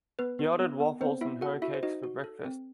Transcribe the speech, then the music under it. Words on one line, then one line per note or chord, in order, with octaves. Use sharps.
He ordered waffles and hoe-cakes for breakfast.
B3 B4
B3
B3
B3
B3 C4 C5
B3 E4 E5
F#4 A4 F#5
E4 F#4 E5
C5
D#4 F#4 D#5
F#4
A4
C4